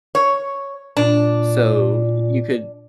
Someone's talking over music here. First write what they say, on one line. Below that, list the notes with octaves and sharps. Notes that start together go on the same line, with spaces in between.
so, you could
C#5
A#2 D4